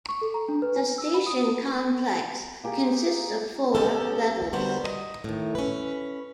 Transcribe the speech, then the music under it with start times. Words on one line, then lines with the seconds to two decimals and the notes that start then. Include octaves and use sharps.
The station complex consists of four levels.
0.09 C#6
0.21 A4
0.34 A#5
0.48 D4
0.62 B4
0.76 G#5
0.98 E6
1.14 B5
1.26 D#6
2.64 A#3 G4 G#4
3.74 B3 C#4 G4 A4 A#4
4.53 D3 G3 B3 F#4 A#4 C5
4.84 D#5
5.24 A2 D#3
5.55 C#4 B4